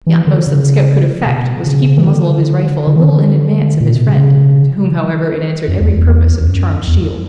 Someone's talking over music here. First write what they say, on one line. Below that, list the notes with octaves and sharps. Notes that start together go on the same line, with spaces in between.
The utmost that the scout could effect, was to keep the muzzle of his rifle a little in advance of his friend, to whom, however, it answered every purpose of a charmed shield.
E3
D3
C#3
B2
C#3
E3
D3
D3
E3
D3
A#2
B2
C#3
F#2
E2
E2
E2
F#2
E2